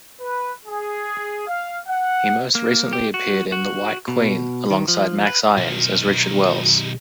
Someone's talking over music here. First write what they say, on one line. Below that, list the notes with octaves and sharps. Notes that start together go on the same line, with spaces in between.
He most recently appeared in "The White Queen", alongside Max Irons, as Richard Welles.
B4
G#4
F5
F#5
A#3
G4
F#4
F#4
B2
D#3
F3
B4
B1 D#3